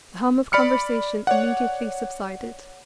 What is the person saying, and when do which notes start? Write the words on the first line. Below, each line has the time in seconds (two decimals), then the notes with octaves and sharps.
The hum of conversation immediately subsided.
0.53 D5 B5 F6 C#7
1.27 C#5 D5 F#5